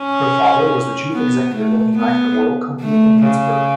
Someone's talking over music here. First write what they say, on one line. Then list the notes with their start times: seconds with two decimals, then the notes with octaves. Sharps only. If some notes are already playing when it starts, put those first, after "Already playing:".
Her father was the chief executive of United Oil Company in Pittsburgh.
Already playing: C#4
1.13 B3
1.55 A3
1.97 B3
2.81 A3
3.23 C#3